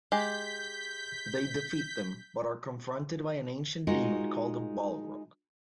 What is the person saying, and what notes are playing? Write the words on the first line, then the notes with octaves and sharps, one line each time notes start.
They defeat them, but are confronted by an ancient demon called a Balrog.
G#3 G4 G6 B6
G#3 D#4 F4 F#4 A#4 D#5